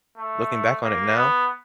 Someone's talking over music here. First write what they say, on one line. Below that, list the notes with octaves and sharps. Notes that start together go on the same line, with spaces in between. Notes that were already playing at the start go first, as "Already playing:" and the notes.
looking back on it now
A3
A#3
B3